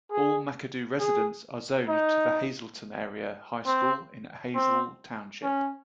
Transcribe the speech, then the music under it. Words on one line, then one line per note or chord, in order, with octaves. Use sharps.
All McAdoo residents are zoned to the Hazleton Area High School in Hazle Township.
G#4
G#4
D#4
C4
C4
C#4